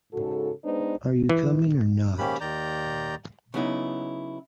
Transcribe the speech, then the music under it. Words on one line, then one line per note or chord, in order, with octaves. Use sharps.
Are you coming or not?
G#2 C#3 F#4 A4
G#3 B3 D4 D#4 B4 C5
E3
G#2 D#3 A#3 C#4 G4 B5
D#2 D#3 D5 A#5 G6
C#3 F#3 B3 D#4 E4